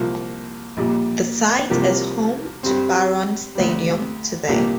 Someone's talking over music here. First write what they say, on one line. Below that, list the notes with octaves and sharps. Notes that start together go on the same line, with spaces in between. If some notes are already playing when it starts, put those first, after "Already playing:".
The site is home to Barron Stadium today.
Already playing: C2 A#2 F3 A#3
A#1 A#2 G3
C2 C3 F3 A#3 G4
G2 G3 C4
D2 C3 G3
C2 A#2 A#3 D4 G4